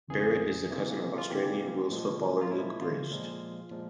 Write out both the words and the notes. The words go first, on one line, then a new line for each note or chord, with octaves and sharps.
Barrett is the cousin of Australian rules footballer Luke Breust.
F2 C#3 E3 G#4
C3 E3 A#3
F4
C3 E3 A#3 G4
A#2 F3 G#3
F4
A#2 F3 G#3 E4
F4
A#2 F3 G#3
A#2 F3 G#3